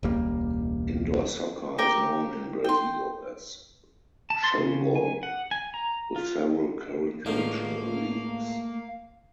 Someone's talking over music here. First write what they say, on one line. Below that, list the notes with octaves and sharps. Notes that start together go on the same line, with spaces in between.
Indoor soccer is known in Brazil as "showbol", with several current regional leagues.
E1 C#2 G3 A#3
G4 A#4 G5 D6
G5 C6
A5
C6
C#3
G#5
F#5
G#5
A#5
F4
C#2 A2 D3 A3 A#3 F5